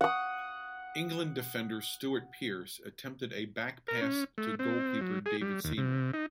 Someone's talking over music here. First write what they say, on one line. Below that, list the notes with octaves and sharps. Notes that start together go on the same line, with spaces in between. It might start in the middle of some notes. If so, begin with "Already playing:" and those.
England defender Stuart Pearce attempted a back-pass to goalkeeper David Seaman.
F#5 D#6
A#4
C#4
A3
C4
F#3
G#4
G3
D#2
C3
D#4